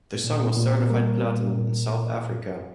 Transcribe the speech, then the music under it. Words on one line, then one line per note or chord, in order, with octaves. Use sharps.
The song was certified platinum in South Africa.
A#2
A#2
G3 A#3 A#4
A#2
A#2